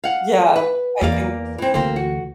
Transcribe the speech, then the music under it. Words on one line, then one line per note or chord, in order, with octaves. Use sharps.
yeah, I think
F5 F#5
B4
E2 A#3 D5 F5
E3 C4
D2 E3 A#3 C4 C5
F#4